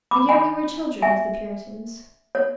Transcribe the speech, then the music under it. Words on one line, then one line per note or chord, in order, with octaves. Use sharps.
And yet we were children of the Puritans.
B5 D6
G#5 B5
E5 G#5
C#5